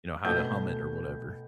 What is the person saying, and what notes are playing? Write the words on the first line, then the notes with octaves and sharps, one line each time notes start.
you know, how to hum it or whatever.
B2 A3 G6